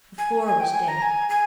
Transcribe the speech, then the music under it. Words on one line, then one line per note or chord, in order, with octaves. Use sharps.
The floor was damp.
G#5
G#5
G5
G#5
A#5
G#5
G#5